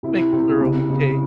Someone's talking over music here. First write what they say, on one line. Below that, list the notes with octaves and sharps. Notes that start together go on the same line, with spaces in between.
make us our own cake
C3 E4
C3
C#3
C#3